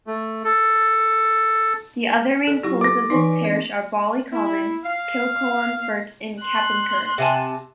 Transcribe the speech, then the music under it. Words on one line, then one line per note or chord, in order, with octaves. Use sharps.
The other main poles of this parish are Ballycommon, Kilclonfert and Cappincur.
A3
A4
A4 D5
F#3 E4 F4 G4 C#6
A4 D6 A#6
E3 D#4 B4 D5 G#5
C4 D4 G#4
E4
F5
C6 F#6
C3 G#5 A5